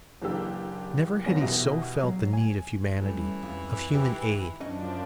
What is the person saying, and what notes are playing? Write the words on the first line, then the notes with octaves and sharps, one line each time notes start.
Never had he so felt the need of humanity, of human aid.
F#1 E3 A#3 D4 G4 E6
F#1 F#2 C#4 G#4 A#6
B2 E3 E4 F#4 G4
F#3
G#5
E3 G3 A3 C#4
F2
D#3 D#4 E4 G4
F#2 F3 C#4 D4 D#5